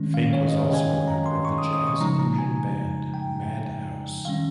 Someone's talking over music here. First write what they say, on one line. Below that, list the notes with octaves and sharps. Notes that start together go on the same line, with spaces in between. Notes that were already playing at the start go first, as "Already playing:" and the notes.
Fink was also a member of the jazz-fusion band Madhouse.
Already playing: D#3 G#3 C#4
F5
C#5
D#5
G5
G#5
A#5
C6
C#6
D#6
D#6
C#6
C#3 F3 G#3 D#4 A#5
A#5
G#5
G5
D#3 G3 C#4 F5